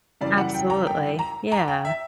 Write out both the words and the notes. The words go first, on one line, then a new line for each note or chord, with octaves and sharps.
Absolutely, yeah.
F#2 C#3 E3 G3 D5
F#5
G5
A#5
G5
A#5
A#5
G5
E5